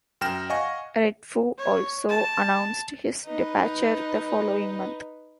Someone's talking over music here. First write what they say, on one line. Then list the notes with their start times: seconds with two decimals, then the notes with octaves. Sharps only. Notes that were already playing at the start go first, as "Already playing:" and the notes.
Redfoo also announced his departure the following month.
0.21 F#2 G5 F6 A#6 E7
0.50 D#5 F5 F#5 G#5 C#6 A#6
1.58 C#5
2.09 A5
3.25 D#4 B4